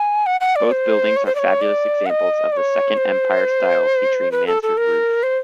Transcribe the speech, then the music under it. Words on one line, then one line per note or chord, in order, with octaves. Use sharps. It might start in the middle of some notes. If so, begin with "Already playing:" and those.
Both buildings are fabulous examples of the Second Empire style featuring mansard roofs.
Already playing: G#5
F#5
F#5
D5
C5
C#5
C5
D5
C#5
D5
F#5
D#5
D5
C#5
C5
B4
A4
A4
A#4
C5